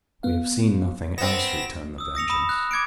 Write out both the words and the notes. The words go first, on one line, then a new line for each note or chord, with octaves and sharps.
"We have seen nothing else," returned The Vengeance.
B3 F5
B3 C4 A#6 E7
D#6 E6
D#6 A#6 C#7 F7
B5 D#6 E7
F#6
D6 G#6 C#7 D7